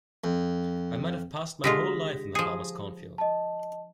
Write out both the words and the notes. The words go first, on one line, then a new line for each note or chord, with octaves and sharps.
I might have passed my whole life in the farmer's cornfield.
F2
D3 G#3 F4 G4 A#6 B6
F3 G#4
D#5 A5